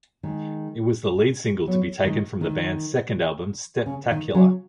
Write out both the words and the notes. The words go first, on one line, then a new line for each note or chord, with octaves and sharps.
It was the lead single to be taken from the band's second album "Steptacular".
D#3 G#3
F#3 B3
D#3 G#3
D#3
C#3
D#3
C#3 F#3